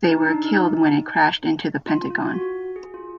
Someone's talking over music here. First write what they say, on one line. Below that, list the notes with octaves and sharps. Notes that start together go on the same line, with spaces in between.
They were killed when it crashed into the Pentagon.
D#4
D4
D#4
F4
F4
F#4
G#4
F4